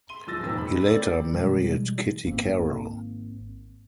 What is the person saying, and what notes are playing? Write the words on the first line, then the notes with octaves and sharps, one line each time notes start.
He later married Kitty Carrol.
C6 D#7 G7
D1 F3 E6 A6 A#6
E1 F2 D#3 A#3 E6
B5
A#3 C4 B4 D5
B2 E3 G3 G#3
G#1 A#3 C4